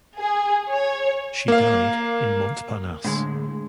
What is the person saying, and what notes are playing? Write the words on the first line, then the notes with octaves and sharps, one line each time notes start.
She died in Montparnasse.
G#4
C#5
A#3 F5
A2 D3 G#3